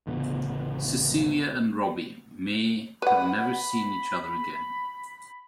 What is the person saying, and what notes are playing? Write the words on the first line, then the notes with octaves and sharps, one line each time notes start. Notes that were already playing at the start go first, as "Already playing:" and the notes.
Cecilia and Robbie may have never seen each other again.
A1 D2 C#3 B3
B4 F#5 B5